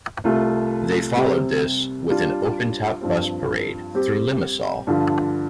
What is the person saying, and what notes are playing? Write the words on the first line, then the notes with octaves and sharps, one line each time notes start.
They followed this with an open-top bus parade through Limassol.
C2 C3 A3 F4
C3 G3 C4
G3 D4 F4
G2 F3 C4
G3 C4 G4
G2 D3 F3 D4 F4